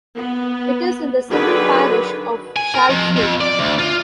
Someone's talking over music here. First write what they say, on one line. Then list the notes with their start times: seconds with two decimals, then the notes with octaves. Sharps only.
It is in the civil parish of Shalfleet.
0.17 B3
1.31 D3 D#3 F#3 G#4 B4
2.56 G#5
2.75 A#4
2.90 F2
3.16 F2
3.41 D5
3.59 D2
3.79 F4